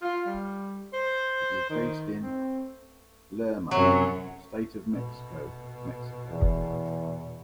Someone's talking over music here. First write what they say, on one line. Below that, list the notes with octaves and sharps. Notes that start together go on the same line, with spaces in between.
It is based in Lerma, State of Mexico, Mexico.
F4
G3
C5
D#3
C4
F#2 C3 F#3
B2
E2